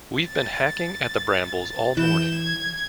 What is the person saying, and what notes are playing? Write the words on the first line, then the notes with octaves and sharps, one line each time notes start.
We've been hacking at the brambles all morning.
A6
E3 G6 E7
G#6